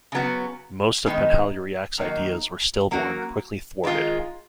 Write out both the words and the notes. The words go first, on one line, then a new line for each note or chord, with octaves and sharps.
Most of Penhalluriack's ideas were stillborn or quickly thwarted.
C#3 F#3 B3 F#4
D#3 G#3 B3 D#4
D#3 F#3 A#3 D#4
F#3 A#3 C#4 F#4
D#3 G#3 C#4 F4 G#4